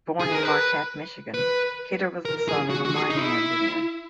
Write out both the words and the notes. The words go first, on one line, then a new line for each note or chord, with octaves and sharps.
Born in Marquette, Michigan, Kidder was the son of a mining engineer.
G#4
A#4
B4
B4
A#4
G#4
F#4
F#4
G#4
D#4
E4